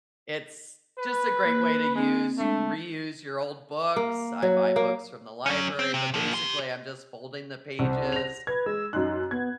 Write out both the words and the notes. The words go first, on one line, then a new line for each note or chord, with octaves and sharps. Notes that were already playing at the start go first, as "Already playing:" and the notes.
it's, just, a great way to use reuse your old books, I buy books from the library but basically I'm just folding the pages,
B4
A#3
G#3 C4
G#3 A3 D4
A#3
F#3
A#3
F#3 C#4
C4
C3
F3 A#3
G4 C6
C2 C5
A#6 F7
B4 G#6
G#3 E6
F#2 D#4 C6 F#6
B3 G#6